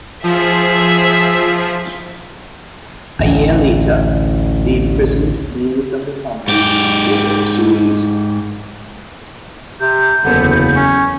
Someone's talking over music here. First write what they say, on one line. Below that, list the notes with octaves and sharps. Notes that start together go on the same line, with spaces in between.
A year later, the imprisoned males of the family were also released.
F3 G#4 E5
A1 D2
G#2 G4
C3 G6
F#1 E2 D3 B3
C#4